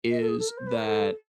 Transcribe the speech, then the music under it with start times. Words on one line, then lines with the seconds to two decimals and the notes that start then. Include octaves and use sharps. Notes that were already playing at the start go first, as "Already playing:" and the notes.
is that
0.10 D#5
0.19 A4
0.28 G#4
0.38 A4
0.48 A#4
0.57 C5
0.66 B4
0.76 A#4
0.86 A4